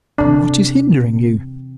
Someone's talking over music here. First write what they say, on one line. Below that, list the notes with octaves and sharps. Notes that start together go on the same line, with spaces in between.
"What is hindering you?"
E2 C3 D4